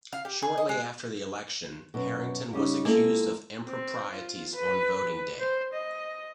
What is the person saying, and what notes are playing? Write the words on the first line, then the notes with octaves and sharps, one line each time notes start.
Shortly after the election, Harrington was accused of improprieties on voting day.
F5
G4
G#4
D#5
G#3
F#2 B2
C#3 G3 D#4
G#3 A#3 E4 F4 G#4 A4
C4
F4
B4
C5
D#5